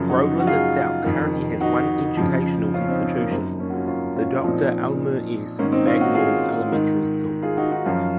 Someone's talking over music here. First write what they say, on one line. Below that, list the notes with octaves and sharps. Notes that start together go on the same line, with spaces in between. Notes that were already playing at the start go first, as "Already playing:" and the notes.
Groveland itself currently has one educational institution, the Doctor Elmer S. Bagnall Elementary School.
Already playing: F#2 C#3 F3
D#4 F#4
F#4
F4 G#4
F2 D#3
D#4 F#4
F2 C#3 F3
C#4 F4
C4 D#4
C4
A#3
F#2 D#3 C4
A#3 C#4
F#4
C#4 F4
C#4 F4
C#4 F4
A#2 F3 C4 D#4
G#2 D#3 A#3 C#4
C4 D#4
C#4 F4
D#4 F#4
F4 G#4
G#2 D#3
F4 G#4
D#4 F#4
D#4 F#4
F#2 F3 C#4 F4